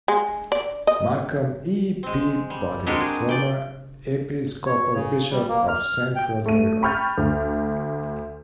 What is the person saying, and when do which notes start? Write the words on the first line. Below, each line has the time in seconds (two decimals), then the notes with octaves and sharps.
Malcolm E. Peabody, former Episcopal Bishop of Central New York.
0.08 G#3
0.52 D5
0.87 D#5
2.03 G#3 C4
2.50 G3
2.86 G#3 C4 D4 F#4 G4 A#4
3.00 G#4
3.29 D5 G5
4.66 C#5
4.94 C#3
5.31 G3
5.48 A#3
5.68 F6
6.16 G5
6.46 A3 D#7
6.82 G5 B5 C#6 F6 G6 A6
7.18 D2